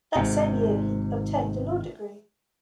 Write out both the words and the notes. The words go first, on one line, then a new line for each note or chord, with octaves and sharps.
That same year he obtained a law degree.
G#1 G#2 C3